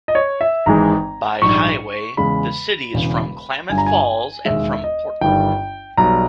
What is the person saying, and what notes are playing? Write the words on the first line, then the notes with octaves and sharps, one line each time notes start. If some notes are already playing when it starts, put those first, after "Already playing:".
By highway, the city is from Klamath Falls and from Portland.
D#5
C#5
E5
G#1 G#2 E3 G#3 A#5
A#1 G#2 G3 C#6
E2 C#3 G#3 B5
E1 E2 C#3
G1 G2 G3 G#5
A#5
G#5
E1 D#2 D#3 G#3 E5
D#5
G1 G2 D#3 G3 G5
B1 B2 G3 A#5